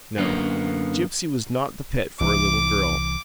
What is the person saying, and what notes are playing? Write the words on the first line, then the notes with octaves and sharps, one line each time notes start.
No; Gipsy was not the pet for a little girl.
F#2 D3 A#3 B3
C2 E3 D6